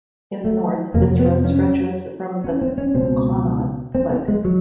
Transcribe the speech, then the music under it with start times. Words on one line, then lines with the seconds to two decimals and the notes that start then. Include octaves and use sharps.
In the north this road stretches from the Connaught Place.
0.44 A3
0.94 F2 C3 A#3
1.19 B3
1.45 C#4
2.44 C#4
2.61 C4
2.78 C#4
2.94 C#2 B2 C4
3.95 C4
4.10 B3
4.28 G#3
4.45 F#3